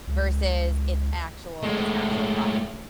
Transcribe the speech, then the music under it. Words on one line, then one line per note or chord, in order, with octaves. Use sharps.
versus it's actual it's an actual problem.
C#2
A2 G#3